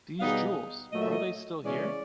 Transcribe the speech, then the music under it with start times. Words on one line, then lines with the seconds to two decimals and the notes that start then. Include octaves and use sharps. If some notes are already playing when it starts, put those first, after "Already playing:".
These jewels — are they still here?
0.19 B2 G3 B3 D#4 G#4 F5
0.92 A#2 F#3 A3 D#5
1.02 E5
1.12 D#5
1.64 C#3 E3 G#3 C#4 D5